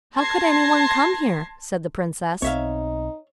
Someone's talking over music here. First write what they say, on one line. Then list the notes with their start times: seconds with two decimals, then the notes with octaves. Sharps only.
"How could any one come here?" said the Princess.
0.16 A5 C6 G#6 A#6 C7
2.42 B1 C4 D#4 C#5 E5 F5